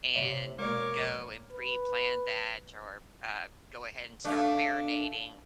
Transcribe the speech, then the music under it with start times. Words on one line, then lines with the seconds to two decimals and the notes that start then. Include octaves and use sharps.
and go and preplan that, or, uh, go ahead and start marinating.
0.14 C3 C#5 E5
0.59 B2 G#3 A#3 A#4 C#5 D5 D6
0.92 A#1
1.51 B4
4.24 A3 D4 D5 F5